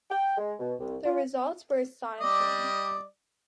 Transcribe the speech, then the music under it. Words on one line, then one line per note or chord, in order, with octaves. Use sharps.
The results were astonishing.
G5
G#3
B2
C2
F4
G3 D5 D#5